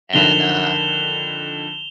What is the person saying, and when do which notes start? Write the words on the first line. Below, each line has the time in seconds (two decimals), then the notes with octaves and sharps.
and, uh,
0.13 F2 D3 D#3 E7 F7 G7